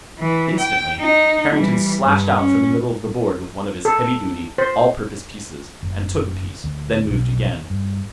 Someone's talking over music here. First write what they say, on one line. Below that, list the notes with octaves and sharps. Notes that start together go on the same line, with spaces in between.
Instantly, Harrington slashed out from the middle of the board with one of his heavy-duty, all-purpose pieces and took a piece, then moved again.
E3
G5
D#4
E3 G3
G2
C#4
A4
C5
F#1
D2
B1
G2